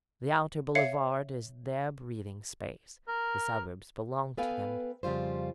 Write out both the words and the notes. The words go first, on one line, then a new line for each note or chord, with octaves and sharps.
The outer boulevard is their breathing space; the suburbs belong to them.
C#5 E5 F5 C7 C#7
A#4
B3 A4 B4 F5 G5 G#5
F2 C#3 G3 F4 C5